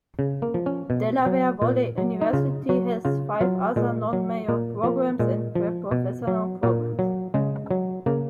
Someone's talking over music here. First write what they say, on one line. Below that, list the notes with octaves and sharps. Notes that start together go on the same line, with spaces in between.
Delaware Valley University has five other non-major programs and pre-professional programs.
C#3
A#3
F3
C#4
B2
F#3
A#2
F#3
D#4
C#3 F4
F#3 F#4
C#3 F4
F#3 F4
A#2 G#3
F#3
A#2 A#3
F3 A#3
A#2 G#3
F3
B2
F#3
A#2 A#3
F#3
C#3 G#3
F#3
C#3 A#3